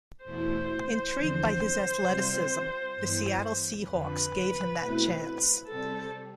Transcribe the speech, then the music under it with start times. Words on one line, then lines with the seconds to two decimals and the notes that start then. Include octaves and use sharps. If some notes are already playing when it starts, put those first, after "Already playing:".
Intrigued by his athleticism, the Seattle Seahawks gave him that chance.
0.24 E2 B2 A3 E4 C5
1.15 E2 D3 F3 C4
2.05 C3 G3 C4 F4
2.96 G2 E3 B3
3.87 F2 D3 F3 B4
4.77 B2 A3 C4 E4
5.67 C3 G3 C4 A4